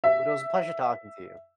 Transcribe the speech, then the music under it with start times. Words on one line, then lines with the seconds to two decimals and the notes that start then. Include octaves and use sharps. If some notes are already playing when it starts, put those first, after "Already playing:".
but it was a pleasure talking to you.
0.04 E5